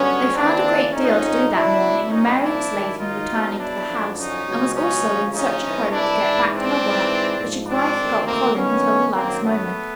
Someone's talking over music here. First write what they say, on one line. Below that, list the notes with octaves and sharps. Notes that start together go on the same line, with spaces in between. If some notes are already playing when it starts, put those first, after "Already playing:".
They found a great deal to do that morning and Mary was late in returning to the house and was also in such a hurry to get back to her work that she quite forgot Colin until the last moment.
Already playing: G2 D3 F#3 B3 C#4
D#2 C#3 E3 C4 D4
F2 D3 F3 C#4 D#4
C#2 B2 F#3 D4 E4
C2 A#2 F3 C#4 D#4
D4 E4
G#2 D#3 F#3
D#4 F4
E2 B2 F#3
D4 E4
F#2 D3 F3
C#4 D#4
C#2 B2 F#3
C#4 D#4
D2 C#3 F3
C#4 D#4
C2 C3 E3
D4 E4
G#2 E3
C4 D4
G#2 E3
G#2 F3
C4 D4
D2 C3 D#3
A#3 C4
G2 D#3 F#3 B3 C#4
F#2 D#3 F#3 A#3 C4
A3 B3